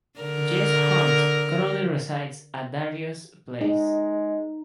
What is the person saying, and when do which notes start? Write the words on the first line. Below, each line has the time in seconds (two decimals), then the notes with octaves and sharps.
Jess Hunt currently resides at Darius' place.
0.19 D3 A#4
3.61 G#3 D#4